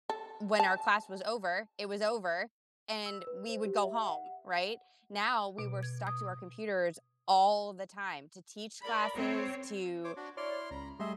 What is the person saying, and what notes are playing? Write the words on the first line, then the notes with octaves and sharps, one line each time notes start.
when our class was over, it was over, and we would go home, right? Now we were stuck to our computers all the time to teach classes, to
A4
A5
E6
B4
C5
G4
E5
F#5
B2
G#6
D#6
A#4 D5 B5
C4 C#5
C5 C#5 D6
D4 F#4
E4 C#5 D5 C6 F6
C#2 A#5 B5
G3 A3 G#4 D#5 E5 C6